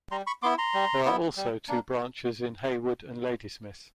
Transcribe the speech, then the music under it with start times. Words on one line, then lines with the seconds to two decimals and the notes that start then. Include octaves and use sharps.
There are also two branches in Hayward and Ladysmith.
0.11 G3 A#5 C6
0.27 B5 C#6
0.43 B3 E4 C6 D6
0.58 A#5 C6
0.74 G3
1.05 B3 E4
1.37 G3
1.68 A#3 D4